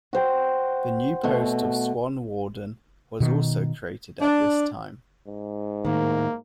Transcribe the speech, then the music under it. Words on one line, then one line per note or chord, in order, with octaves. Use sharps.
The new post of Swan Warden was also created at this time.
F#4 C5 G5
B2 A3 F#4
B2 D#3
D4
G#2
A2 D#3 A#3